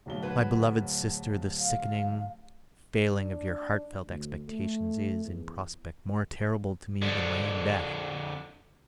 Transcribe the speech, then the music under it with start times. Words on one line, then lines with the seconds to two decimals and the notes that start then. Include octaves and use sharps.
My beloved sister, the sickening failing of your heart-felt expectations is, in prospect, more terrible to me than my own death.
0.06 D1 B1 G7
0.22 F#3 B4
1.59 F5
3.14 D4
4.06 D2
4.48 A3
5.25 E2
7.02 F2 D3